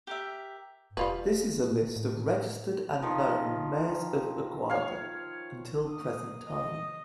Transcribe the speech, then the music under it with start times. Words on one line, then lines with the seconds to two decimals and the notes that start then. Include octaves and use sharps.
This is a list of registered and known mayors of Aguada, until present time.
0.07 G4 A#4 E5
0.97 E1 G3 F4 B4
1.96 A2
3.02 D#3 F3
4.70 C#5 F5
5.85 A#3 D#6
6.48 D#5